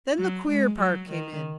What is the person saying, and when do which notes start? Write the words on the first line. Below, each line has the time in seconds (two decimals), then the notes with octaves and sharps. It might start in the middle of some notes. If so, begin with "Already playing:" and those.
Then the queer part came in.
0.18 F#3
0.49 G#3
0.80 F#3
1.11 D#3